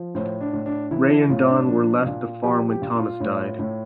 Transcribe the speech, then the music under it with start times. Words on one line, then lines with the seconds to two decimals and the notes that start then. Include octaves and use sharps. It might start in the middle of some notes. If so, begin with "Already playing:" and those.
Ray and Don were left the farm when Thomas died.
Already playing: F3
0.15 A2 C5
0.41 D4
0.53 A2
0.66 D4
0.91 E3 E4
1.10 E4
1.29 A2 F4
1.48 D4
1.67 F3 D4
2.05 A#2
2.44 F3 G4
2.69 G4
2.82 A#2
2.95 F4
3.20 A2
3.59 A2